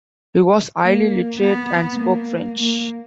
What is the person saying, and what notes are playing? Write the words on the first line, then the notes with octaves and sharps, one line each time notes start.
He was highly literate, and spoke French.
A#3
B3
A#3
A#3